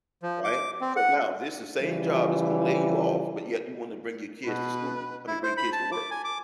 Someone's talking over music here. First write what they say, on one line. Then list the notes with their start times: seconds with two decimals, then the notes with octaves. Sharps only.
right? So, now this the same job that's gonna lay you off, but yet you wanna bring your kids to school I mean, bring kids to work.
0.23 F3
0.44 D6
0.81 C4
0.96 F#5
1.81 C#3 E3 F3 G3
4.47 B2 B4
5.27 E4
5.43 C5
5.57 B5
5.72 A5
5.92 D6
6.11 G#5
6.24 D6